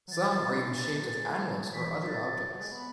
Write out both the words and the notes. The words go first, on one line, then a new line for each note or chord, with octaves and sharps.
Some are even shaped as animals or other objects.
F#3
E3 A6
F#3
E3
F#3
D4
E4
D4
C#4 A6
B3
G#3
F#3
G#3
G#3
A3
G#3
A3 G#6
F#3 A6
F#3
E3 B6
B6
F#3 A6
F#3
G#3
B3 B5